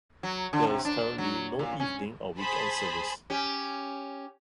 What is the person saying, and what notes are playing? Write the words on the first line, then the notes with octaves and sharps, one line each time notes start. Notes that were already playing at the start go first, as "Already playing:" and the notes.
There is currently no evening or weekend service.
F#3
D3
C3
D4
F#3
A#2
C#4
G#4 C5 A5 B5
C#4 G4